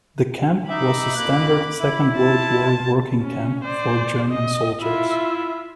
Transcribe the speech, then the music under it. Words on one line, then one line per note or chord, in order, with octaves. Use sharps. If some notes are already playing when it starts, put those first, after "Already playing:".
The camp was a standard Second World War working camp for German soldiers.
D#4 E5 B5 D6
F2 A#3 F#6
E4
F4 A5
C#4
C5 D5
D#5
E4 F4 E5